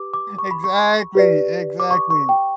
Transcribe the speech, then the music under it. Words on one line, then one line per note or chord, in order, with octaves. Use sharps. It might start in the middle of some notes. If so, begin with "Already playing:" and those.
Exactly, exactly.
Already playing: G4 B4 D6
D6
C#6
B5
C#6
G4 B4 D5
D6
C#6
C#6
G5